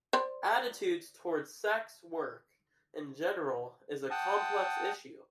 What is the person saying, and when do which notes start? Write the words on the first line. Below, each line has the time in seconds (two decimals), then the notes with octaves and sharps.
Attitudes towards sex work in general is a complex issue.
0.13 C5 D5 B5
4.11 F#5 G5 A5 D#6